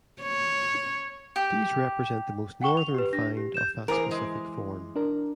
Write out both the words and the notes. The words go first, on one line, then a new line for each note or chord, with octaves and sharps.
These represent the most northern find of that specific form.
C#5
G4
F#5 G5 C#6 G7
F7
G4 B4
D4 A#6
G4
G6 E7
E3 G#4 A#4 C5 D6
G#3
D4 A#4